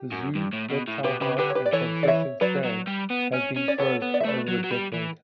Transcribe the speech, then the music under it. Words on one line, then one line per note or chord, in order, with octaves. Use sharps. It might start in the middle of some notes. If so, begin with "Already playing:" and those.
The zoo, reptile house, and concession stand have been closed for over a decade.
Already playing: G4
F#2
G2
A2
B2
A2
B2 G4 B4
C#3 G4 B4
D3 G4 B4
C#5
G4 B4
D5
E3 A4 C#5
D5
C#5 E5
F#3 B4 D5
F#3
G3
B3
C#4
C#4
D5
B3 A4 C#5
B3
D5
E5
A3 B4 D5
F#3
F#3
G3
E3